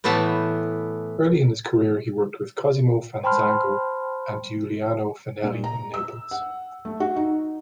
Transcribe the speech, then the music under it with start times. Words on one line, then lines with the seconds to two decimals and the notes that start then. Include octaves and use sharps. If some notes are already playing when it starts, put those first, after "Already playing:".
Early in his career he worked with Cosimo Fanzago and Giuliano Finelli in Naples.
0.04 A2 E3 A3 B3 A5
3.23 C5 G5 A5 B5 C6 F6
5.43 A#2
5.64 A#5
5.94 E6
6.31 F#5
6.85 A3
7.00 F#4
7.16 D#4